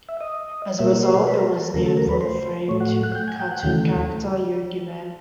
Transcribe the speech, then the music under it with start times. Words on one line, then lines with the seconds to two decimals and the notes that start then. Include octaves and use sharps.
As a result, it was named for the famed cartoon character Yogi Bear.
0.09 E5
0.21 D#5
0.79 B2 G3 A#3 E5
1.03 C5
1.14 C5
1.27 B4
1.38 A#4
1.51 A4
1.62 A4
1.73 D#2 C#3 F#3 A3 A#4
1.86 A4
1.97 A#4
2.09 B4
2.21 C5
2.68 A2 F#3 A3 C#5
2.80 F#5
3.03 F#5
3.15 G5
3.28 G#5
3.40 G5
3.51 F#5
3.63 D#2 C#3 E3 A3 G5